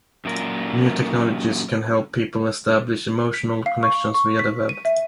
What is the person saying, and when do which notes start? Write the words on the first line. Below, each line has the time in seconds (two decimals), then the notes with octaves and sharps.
New technologies can help people establish "emotional connections" via the web.
0.25 F#2 A#2 A#4
3.34 B6
3.66 F5
3.83 C#6
4.14 C#6
4.39 B6
4.69 D#7
4.85 E5